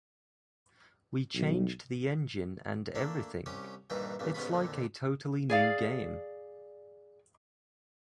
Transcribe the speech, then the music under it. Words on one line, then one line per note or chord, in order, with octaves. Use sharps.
We changed the engine and everything, it's like a totally new game.
B1
A3 A#3 D4
C2 C#4 G4 G5
A#1 G2 D#3 E3 G3 A#5
E2 G2 A#2 C#3
A1 G#2 B3 C#4 F4 B5
F2 A#2 D3
G#4 D5 F5